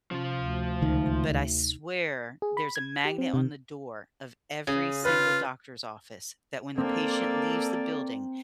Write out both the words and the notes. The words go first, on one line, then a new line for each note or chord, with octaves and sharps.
but I swear there's a magnet on the door of every single doctor's office that when the patient leaves the building,
C3 F3 C#4 F4
D2
C#2 D#3 D#4
G#4
B5
G#6
G4
C4
C3
C#3 G#4
F4 B4
A#3 C4 A4 D5